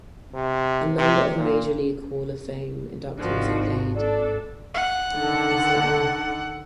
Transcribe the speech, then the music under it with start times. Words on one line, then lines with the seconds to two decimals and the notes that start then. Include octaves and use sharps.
A number of major league Hall of Fame inductees have played in Hagerstown.
0.34 C3
0.98 C3
1.36 A#2
3.19 G#1 D#3 F3 D4 F#4
3.96 D4 A4 D5
4.74 F#5
5.13 D3 D#3 A4